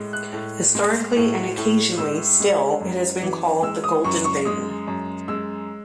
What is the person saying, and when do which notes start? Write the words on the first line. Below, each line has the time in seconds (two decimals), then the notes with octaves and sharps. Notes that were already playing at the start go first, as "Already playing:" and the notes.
Historically, and occasionally still, it has been called the Golden Vein.
Already playing: A2 G#3
0.13 F#6
0.33 A2
0.75 G#3
1.16 A2
1.58 A2
1.98 G#3 E6
2.40 G#3
2.80 F#2
3.22 E3
3.63 G#3 E6
3.84 D#6
4.04 F#2 C#6
4.24 C#6
4.45 G#3 D#6
4.87 F#2
5.28 G#3 E6